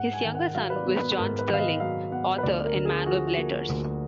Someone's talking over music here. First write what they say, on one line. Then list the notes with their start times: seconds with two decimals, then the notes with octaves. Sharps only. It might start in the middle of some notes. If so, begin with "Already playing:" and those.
His younger son was John Sterling, author and man of letters.
Already playing: G#2 F#5
0.13 G#5
0.24 D#3
0.35 F#5
0.55 F#3 F5
0.70 B4
0.76 D5
0.87 B3
0.97 B4
1.17 G#2 A#4
1.39 B4
1.49 D#3 F5
1.60 D#5
1.80 F#3 F5
2.12 B3 F#5
2.38 B4
2.43 D2 D5
2.65 A#4
2.75 D3
2.85 G#4
3.06 F3 F#4
3.27 F#4
3.38 A#3
3.69 D2